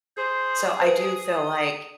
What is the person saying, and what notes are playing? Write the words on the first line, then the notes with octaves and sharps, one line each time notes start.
So, I do feel like
G#4 C5
B4 C5 D#6